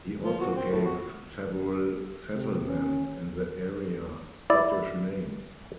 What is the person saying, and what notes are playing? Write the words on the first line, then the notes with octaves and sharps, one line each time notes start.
He also gave several settlements in the area Scottish names.
F3
F#4
C4
A2
F#4
C3
C#4
E4 D5